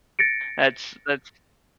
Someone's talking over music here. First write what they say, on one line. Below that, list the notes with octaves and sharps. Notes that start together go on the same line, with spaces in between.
That's that's,
A6 A#6 C#7 D7